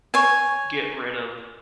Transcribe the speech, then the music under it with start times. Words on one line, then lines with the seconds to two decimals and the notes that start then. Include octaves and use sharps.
get rid of
0.14 C#5 G#5